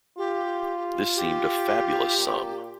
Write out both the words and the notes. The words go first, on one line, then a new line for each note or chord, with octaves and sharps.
This seemed a fabulous sum.
F4 G4
G4
A#2